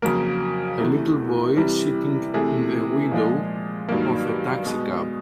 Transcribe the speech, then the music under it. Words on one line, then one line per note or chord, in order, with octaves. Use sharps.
A little boy sitting in the window of a taxi cab.
F2 C#3 F#3 A#3 A#4
E2 C3 E3 A3
C3 E3 G3
C3 E3 A3 G#4
A#2 F3 G#3
G2 D#3 F#3 A#3
B2 G#3